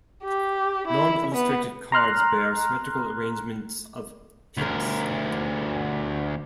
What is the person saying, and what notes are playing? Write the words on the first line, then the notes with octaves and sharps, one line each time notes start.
Non-illustrated cards bear symmetrical arrangements of pips.
G4
E4
B3
A#5 C6 F6 F#6
D2 A#4